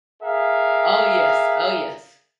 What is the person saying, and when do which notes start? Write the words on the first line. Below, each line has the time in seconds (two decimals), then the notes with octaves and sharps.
Oh, yes. Oh, yes.
0.22 G#4 A#4 E5 F5